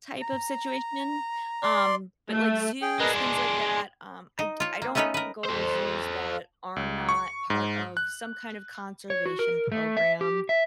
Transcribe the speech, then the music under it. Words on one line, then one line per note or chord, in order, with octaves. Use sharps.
Type of situation, um, but like zoos, things like that, um, I d I don't go to zoos that are not part of some kind of conservation program.
A#5
D5 C6
A3
G#4 G5
G#3 D4 A#4 B4 D#5
C6
D#4
F4 C#5
A#3
A3 B3 C#4 D#4 B4 C#5
A#4 B4
A4 C5
C#2
C#6
G#2
F#6
C#5
F#4
A#4
A3
E5
G4
E5